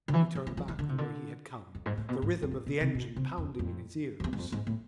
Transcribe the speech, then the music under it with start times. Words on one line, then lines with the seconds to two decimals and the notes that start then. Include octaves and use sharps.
He turned back the way he had come, the rhythm of the engine pounding in his ears.
0.08 D3
0.14 E3
0.35 F3
0.47 E3
0.57 F3
0.68 E3
0.79 D3
0.89 C3
0.98 D3
1.75 F2
1.86 G#2
1.97 A2
2.09 B2
2.22 G#2
2.42 F2
2.51 G#2
2.66 B2
2.80 C3
2.95 B2
3.16 C3
3.38 F2
3.59 F2
4.20 F2
4.24 E2
4.33 G#2
4.38 F2
4.52 G#2
4.67 A2